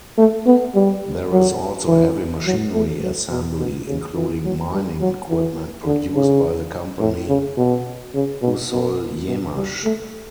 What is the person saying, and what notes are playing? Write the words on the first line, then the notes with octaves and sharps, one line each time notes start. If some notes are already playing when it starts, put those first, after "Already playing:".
There is also heavy machinery assembly, including mining equipment produced by the company "Usolyemash".
A3
B3
G3
F#3
E3
F#3
A3
F#3
B2
B2
C#3
E3
F#3
G3
F#3
E3
D3
C#3
A2
C#3
B2
C#3
B2
B2
B2
G3
A3